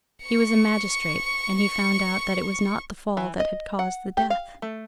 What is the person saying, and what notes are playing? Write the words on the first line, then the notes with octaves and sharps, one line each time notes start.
He was a magistrate, and he found out that it was not the fall that had caused the death.
C#6 C#7
E3
D#5
F#5
G4
F5
A3